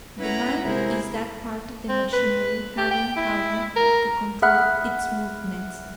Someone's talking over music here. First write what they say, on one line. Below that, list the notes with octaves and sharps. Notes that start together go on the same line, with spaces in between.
The mind is that part of the machinery having power to control its movements.
C#4 E4 B4 F#5 A#5
C3 G#3 E4 G#4 A#4 C5
C4
B4
G4
G5
E4
A#4
G#4 E5 F#5 B5 F6 F#6